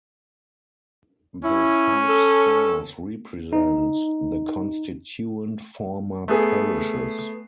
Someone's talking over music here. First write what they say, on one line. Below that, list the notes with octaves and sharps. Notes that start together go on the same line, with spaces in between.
The five stars represent the constituent former parishes.
C#4 E4
A4
D#4
A3 B3 G#4